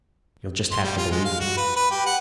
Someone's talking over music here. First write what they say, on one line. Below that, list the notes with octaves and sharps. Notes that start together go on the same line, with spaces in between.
You'll just have to believe me.
C6
G3
F4
G#3
F5
F#4
B4
B4
G4
F#5